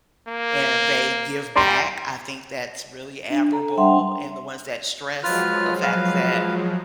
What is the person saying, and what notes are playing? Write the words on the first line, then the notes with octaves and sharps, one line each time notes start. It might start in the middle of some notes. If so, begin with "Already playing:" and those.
and they give back, I think that's really admirable, and the ones that stress the fact that,
A#3
G3 D5 A#5 C6
D4
A4 A#5
G3 D4 E5 F#5 G5 C6
F3 F#3 G#3 F4 B4 F6
B4 F5